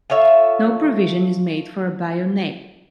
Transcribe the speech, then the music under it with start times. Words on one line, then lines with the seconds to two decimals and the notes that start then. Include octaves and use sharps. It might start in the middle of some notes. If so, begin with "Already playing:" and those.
No provision is made for a bayonet.
0.10 F4 A4 C#5 E5